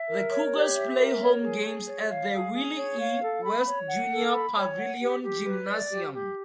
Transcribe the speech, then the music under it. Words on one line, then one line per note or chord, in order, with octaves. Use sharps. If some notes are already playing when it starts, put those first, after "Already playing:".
The Cougars play home games at the Willie E. West Junior Pavillion Gymnasium.
Already playing: E5
A#4
C#5
G4
E5
A#4
C#5
G#4
G#4
C#5
F5
G#4
G#4
C#5
F5
A4
B5
C#5
F#5
A4
B5
C#5
F#5
G4
G4
B4
D5
G4
G4